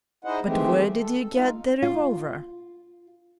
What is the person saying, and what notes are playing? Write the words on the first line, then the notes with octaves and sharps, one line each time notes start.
But where did you get the revolver?
D#4 E4 G#4 C5 D#5 F#5
D#3 E3 G#3 A3 C4 G4
A4
G#3 D#4 F4 F5
F4